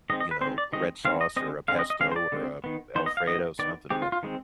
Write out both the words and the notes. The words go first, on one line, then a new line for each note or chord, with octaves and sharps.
you know, red sauce or a pesto or a Alfredo, something, but
D#3 G#3 C4 D#5
D#5
B4
D#3 G#3 C4 C5
D5
D#3 G#3 C4 D#5
D#3 G#3 C4 F5
D#5
D3 G#3 C4 D#5
D3 G#3 C4 F5
D#5
D#5
D3 G#3 C4 F5
C5
D5
D3 G#3 C4
D#3 B3
D#3 B3 C5
D#5
F5
D#3 B3 D#5
D#3 B3 D5
D#3 G#3 C4 G4
F4
F4
D#3 G#3 C4